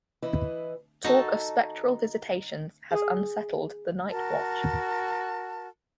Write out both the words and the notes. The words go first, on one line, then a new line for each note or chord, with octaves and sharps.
Talk of spectral visitations has unsettled the night watch.
E3 E4 B4 D#5
D#4 F#4 A4 A5
G#4 G#5 D#6
F#4 A#4 A5